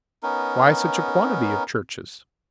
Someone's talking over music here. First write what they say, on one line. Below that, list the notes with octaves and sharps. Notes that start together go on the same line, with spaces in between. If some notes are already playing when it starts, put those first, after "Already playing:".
"Why such a quantity of churches?"
B3 C#4 D#4 A#4